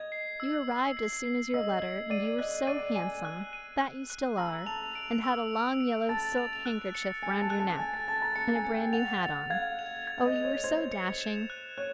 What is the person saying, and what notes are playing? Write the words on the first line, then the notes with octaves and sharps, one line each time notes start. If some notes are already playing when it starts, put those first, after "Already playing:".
You arrived as soon as your letter, and you were so handsome--that you still are--and had a long yellow silk handkerchief round your neck, and a bran new hat on; oh, you were so dashing!
Already playing: D#5 G#6
C7
E6
E6
C7
C7
D#5 E6
G#6
D5 D#7
D#5 F#6
D5 D#7
G#5 D#7
F#6
D#7
F#6
F#6
A#5 E6
A5 F7
D7
E6
E6
D7
A5 A6
F7
F#6
C#7
G#5 C#7
A5
F#6
A5
G#5 A6
A5
A5 A6
A#5
A5 C#7
G#5
C#7
G5
F#5 F7
F7
F5 G#6
F7
G#6
D#5
F7
C#5
C5 G#6
C#7
E7
F#6
C#5 F#6